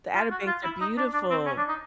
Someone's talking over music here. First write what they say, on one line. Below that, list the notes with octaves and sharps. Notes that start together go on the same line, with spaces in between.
The Outer Banks are beautiful.
F4
F#4
F4
E4
D#4
D4
D4
C4
C#4
D4
D#4